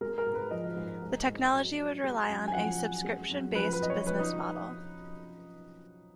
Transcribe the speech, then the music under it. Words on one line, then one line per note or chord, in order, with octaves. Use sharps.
The technology would rely on a subscription-based business model.
G#3 A#4
A#4
G#2
B4
F3 D#5
G#2
G#2
G#2
F#3
F#3
G#3
F#2
G#5
F3 F#5
F#2
G#3
F#2
F3 B4
B4
F#2 D#5
C#5
F3 B4
D#4